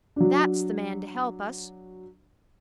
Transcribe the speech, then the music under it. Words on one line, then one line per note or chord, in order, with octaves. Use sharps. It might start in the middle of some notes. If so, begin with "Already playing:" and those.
That's the man to help us.
F#3 D4